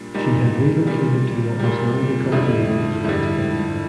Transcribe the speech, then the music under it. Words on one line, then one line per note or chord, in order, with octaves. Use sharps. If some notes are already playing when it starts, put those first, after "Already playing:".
She had relocated to what was now becoming known as West Berlin.
Already playing: A#2 G3 D4
A#2 G3 D#4
A#2 G3
A#2 G3
F2 D3 G3 E4
F2 D3 G3 E4